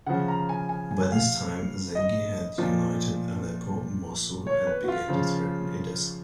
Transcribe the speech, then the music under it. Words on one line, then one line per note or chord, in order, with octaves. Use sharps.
By this time, Zengi had united Aleppo and Mosul and began to threaten Edessa.
C#3 F3 F#5
A#5
G#5
G#5
G#5
F5
D#5
A#2 F3
C#5
B4
F#4
F4
C#3 F3